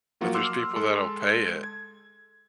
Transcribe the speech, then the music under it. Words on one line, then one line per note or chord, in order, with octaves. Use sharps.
But there's people that'll pay it,
F3 F#3 A#3 F4 F#4
C6 D6 E6 F6
G#3 A4 C6
G#6